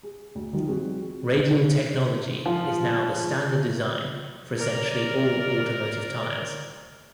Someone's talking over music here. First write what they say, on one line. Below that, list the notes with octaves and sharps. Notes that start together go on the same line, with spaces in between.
Radial technology is now the standard design for essentially all automotive tires.
G#4
D2
D#3 F3 D#4
G3 C4 F#4 G#4
F3
A#4 D5